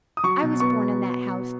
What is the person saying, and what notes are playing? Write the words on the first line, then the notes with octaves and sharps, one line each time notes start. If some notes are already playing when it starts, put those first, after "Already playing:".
I was born in that house.
D#6
F#3 C#6
B2
B3 C#6